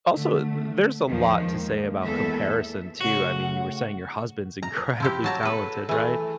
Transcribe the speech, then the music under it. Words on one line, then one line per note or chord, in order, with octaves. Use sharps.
also, th there's a lot to say about comparison, too, I mean, you were saying your husband's incredibly talented, right?
D3 A3
E2 D#3 F3
G#3 A#3
E2 A4 E5
C#3 A3 F#4 F#5
A#5
F3 E4 G4
F#3 A5 A#5
A4 B4
E3 A3